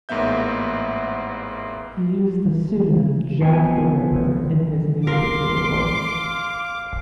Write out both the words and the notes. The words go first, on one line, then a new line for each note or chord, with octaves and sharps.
He used the pseudonym Jack the Ripper in his newspaper reports.
A1 G#2 A#3 B3 E5 G6
F3 B3 C4 G#5
A#4 F5 C6 D6